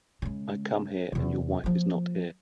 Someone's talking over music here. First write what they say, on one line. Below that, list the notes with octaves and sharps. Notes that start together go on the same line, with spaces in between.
I come here, and your wife is not here.
C#3 G#3
E2 C3
F3 A#3